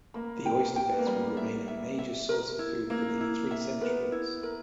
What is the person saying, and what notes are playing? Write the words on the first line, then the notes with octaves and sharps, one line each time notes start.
The oyster beds would remain a major source of food for nearly three centuries.
A#3 B5
G5
G5
B3
A#3
G3 B5
E5
E5
E5
A#4
E4
A#3 E4
E4
E5
B3 A#4
E4
A#4